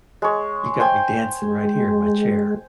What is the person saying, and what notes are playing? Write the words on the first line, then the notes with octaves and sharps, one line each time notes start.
you got me dancing right here in my chair.
G#3 C#5
C5 G5 G#5
G#3